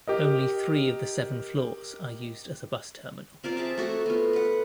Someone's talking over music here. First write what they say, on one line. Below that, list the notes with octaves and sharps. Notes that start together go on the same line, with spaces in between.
Only three of the seven floors are used as a bus terminal.
G4 A#4 D#5
C4 F4 A#4 D5
G#4 E5 A5
A3 F#4 A4
B3 F4
B4 F#5